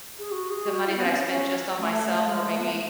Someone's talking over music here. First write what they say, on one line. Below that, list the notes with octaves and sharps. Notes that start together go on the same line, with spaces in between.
the money that I spend just on myself where maybe
G#4
F#4
G#4
F#4
E4
B3
C#4
C#4
A3
A3
G#3
A3
B3
A3